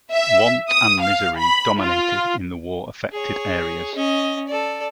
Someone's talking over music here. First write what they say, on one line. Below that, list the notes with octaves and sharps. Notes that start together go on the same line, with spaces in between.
Want and misery dominated in the war-affected areas.
E5
D#6
F5
B5
F4
G#4 C#5
C#4 D#5
A4 D5